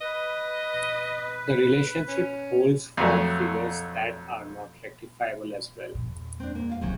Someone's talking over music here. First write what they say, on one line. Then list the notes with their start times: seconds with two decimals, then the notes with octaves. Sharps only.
The relationship holds for figures that are not rectifiable as well.
0.01 B4 D#5
2.08 C#4
2.97 F2 F#3 A3
5.95 E2 A#2
6.40 C4 D4
6.55 A#3
6.69 F4 F5
6.81 D#1 C#2 C3 E3 F#3